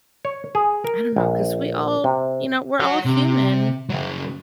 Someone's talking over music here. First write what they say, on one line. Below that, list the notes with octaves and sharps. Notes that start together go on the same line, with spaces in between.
I don't know, 'cause we all you know, we're all human.
C#5
G#4
A#4
A#1
C3
C#5 F#5
C3
C#3 F#3